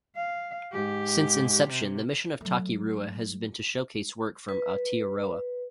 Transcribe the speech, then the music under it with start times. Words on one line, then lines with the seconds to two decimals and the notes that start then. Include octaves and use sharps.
Since inception the mission of Taki Rua has been to showcase work from Aotearoa.
0.16 F5
0.72 G#2 G4
1.69 C3
2.41 F#3 A3
4.49 B4